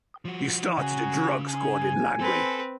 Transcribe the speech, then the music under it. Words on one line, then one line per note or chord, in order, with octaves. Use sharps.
He started a drug squad in Langley.
F3 F#4
C#3 F#4 G#5
G#5
C4 A4 B4